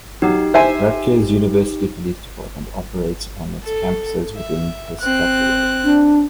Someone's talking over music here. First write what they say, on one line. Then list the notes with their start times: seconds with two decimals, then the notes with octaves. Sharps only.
Rutgers University Police Department operates on its campuses within Piscataway.
0.22 F#3 D#4 G4
0.54 C5 E5 G#5
3.64 A4
4.36 E5
5.00 C4 F#6
5.84 D4